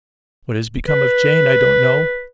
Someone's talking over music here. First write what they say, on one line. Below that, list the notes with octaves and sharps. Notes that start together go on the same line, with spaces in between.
What has become of Jane I don't know.
B4